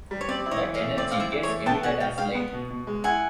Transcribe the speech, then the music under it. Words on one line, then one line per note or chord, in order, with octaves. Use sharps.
That energy gets emitted as light.
G3
C#5
C4 D5
E4
C#5 D#5
E3
D#5 F5
A3
C4 D5
E4 F5
D5 E5
E3
C#5 D#5
A3
B3 G5 A5
B2 F#5 G#5
B2 F5 G5
G#3 F5 G5
B3
B2
B2
G#3
E4 F#5 G#5